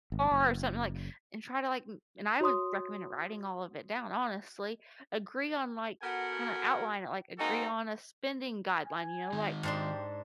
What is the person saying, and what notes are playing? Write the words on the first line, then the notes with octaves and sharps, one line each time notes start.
bar or something, like and try to, like m and, I would recommend writing all of it down, honestly. Agree on, like kinda outline it, like, agree on a spending guideline, you know, like,
G#1
F#1
F#4 C#5 C6 D#6
B3 F#4 A4 A#4 F#5 G#5
G#3 A#3 C4 D#4 F#4 A4
G#5
D#3 G#3
G#2 D4 G4 C6